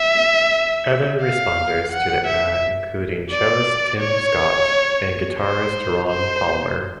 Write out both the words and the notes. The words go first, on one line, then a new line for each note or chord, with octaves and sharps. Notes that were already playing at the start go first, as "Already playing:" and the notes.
Other responders to the ad included cellist Tim Scott and guitarist Ron Palmer.
Already playing: E5
F5
F#5
E5
D5
C#5
C5
C5